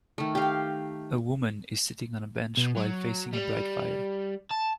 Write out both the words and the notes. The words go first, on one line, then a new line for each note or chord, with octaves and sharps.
A woman is sitting on a bench while facing a bright fire.
D#3 A3
G4 F5
B2
F#3
G3
A5